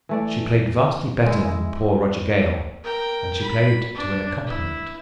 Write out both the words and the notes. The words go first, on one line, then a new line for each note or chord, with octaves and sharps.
She played vastly better than poor Roger Gale, and she played to an accompaniment.
E3 A3 D5
D#3 G#3 E4
G#3 E4
A#4 G5
B5
D4
E4